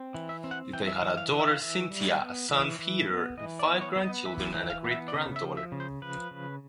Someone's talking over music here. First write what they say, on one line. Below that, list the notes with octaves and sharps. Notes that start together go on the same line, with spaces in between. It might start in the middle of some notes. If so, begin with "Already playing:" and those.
They had a daughter Cynthia, a son Peter, five grandchildren and a great-granddaughter.
Already playing: C4
E3
E5
C4
F#5
E3 G5
E5
F5
E3
F5
E3
E5
F5
E3 E5
G3
B3
E3
E3
B3
E3 D#5
D5
B3
C#5
B3
D#5
E3 E5
E3
F5
B3
E5
D5
C#3 D#5
E5
F3
E5
C#3
C5
F3 B4
C#3